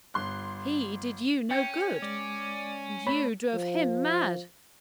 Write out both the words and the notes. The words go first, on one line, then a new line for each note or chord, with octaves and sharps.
He did you no good; and you drove him mad.'
G1 C6 F#6
C#4 G5 C#7
G#3 D5
A3 C#5 B5
F3